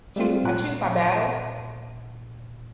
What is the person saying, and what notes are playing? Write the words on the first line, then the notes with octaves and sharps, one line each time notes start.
choo I choose my battles.
G3 A3 C4 F4
A#2 F#6